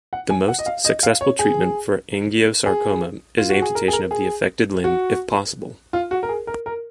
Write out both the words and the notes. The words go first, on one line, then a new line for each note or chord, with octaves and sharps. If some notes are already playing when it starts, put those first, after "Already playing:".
The most successful treatment for angiosarcoma is amputation of the affected limb if possible.
F#5
G#5
F#5
D#5
F5
D#5
F5
C#5
G#4
G#4
F4
F#4
G#4
A#4
G#4
A#4
G#4
F#4
F4
F#4
A#4
G#4
A#4
A#4